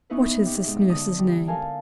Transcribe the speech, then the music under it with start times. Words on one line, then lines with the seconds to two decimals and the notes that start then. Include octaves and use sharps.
"What is this nurse's name?"
0.10 B3 C#4 D#4 E4 B4
0.45 C3
0.67 G#2
0.90 D3 D#6
1.19 G3
1.47 A4 A#4 F5 G#5 A5